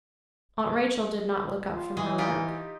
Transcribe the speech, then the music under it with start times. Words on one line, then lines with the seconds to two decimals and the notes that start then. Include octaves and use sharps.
Aunt Rachel did not look up from her work.
1.70 F4
1.97 E3 G#3 G#4
2.18 D#4 F4 G4